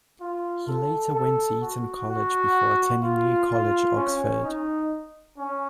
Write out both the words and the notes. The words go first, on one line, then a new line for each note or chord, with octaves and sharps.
He later went to Eton College before attending New College, Oxford.
F4
A4
A4
F#4
F#4
F4
F4
C#4
D#4
C#4